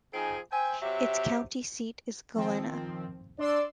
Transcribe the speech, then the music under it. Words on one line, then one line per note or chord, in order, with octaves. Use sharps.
Its county seat is Galena.
F3 C4 D#4 G#4 G#5
C5 E5 G5 G#5
C3 F#3 G4 E5
D#3 F3 C4
D4 D5 C6 E6